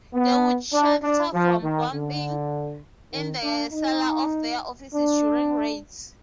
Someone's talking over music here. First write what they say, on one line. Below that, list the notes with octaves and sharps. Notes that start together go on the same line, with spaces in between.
They would shelter from bombing in the cellar of their offices during raids.
B3
D4
D4
F3
D#3
D3
D#3
D4
D#4
D4